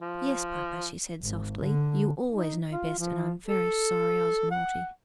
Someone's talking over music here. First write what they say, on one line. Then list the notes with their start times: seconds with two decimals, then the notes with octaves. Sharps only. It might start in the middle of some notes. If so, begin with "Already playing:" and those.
"Yes, papa," she said softly; "you always know best, and I am very sorry I was naughty."
0.01 F3
1.22 G#1
1.62 D3
2.32 D#4
2.72 F4
2.99 F3
3.48 A4
4.51 F#5